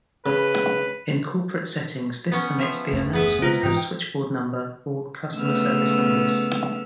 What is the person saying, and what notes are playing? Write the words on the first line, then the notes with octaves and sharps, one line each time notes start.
In corporate settings this permits the announcement of switchboard number or customer service numbers.
C#3 B4
B3 C#4
F3 E5
F#1 D#2 A3
B3 G#4 B4 E5
C#3 G#3 A#3 F4 C5 A#6
G#2 E3 G#3 D#4 G5
C#3 A3 B3 E6 F6